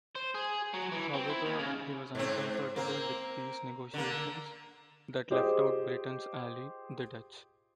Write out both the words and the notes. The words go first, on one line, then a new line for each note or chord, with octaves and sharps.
However he was uncomfortable with peace negotiations that left out Britain's ally, the Dutch.
C5
G#4
F#3
E3
C4
E4
D#2
C#3
G#2 C4
A#3 C4
D3 A#3
F4 G4 G#4 C5 D#5